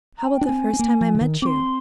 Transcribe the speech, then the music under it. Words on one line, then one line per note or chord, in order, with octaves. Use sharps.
How about the first time I met you?
A#5
G#5
G5
D4
C4 G#5
C4
A#3
F3
D3
D#3
C4 C6 D6